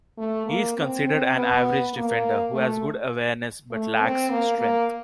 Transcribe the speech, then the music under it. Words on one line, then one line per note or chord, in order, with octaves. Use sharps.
He is considered an average defender who has good awareness but lacks strength.
A3
A#3
C4
C4
B3
A#3
A3
A3
C4
A#3
A#3